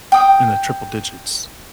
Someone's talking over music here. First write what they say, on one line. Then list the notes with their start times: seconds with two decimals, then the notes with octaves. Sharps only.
in the triple digits,
0.12 G5 D#6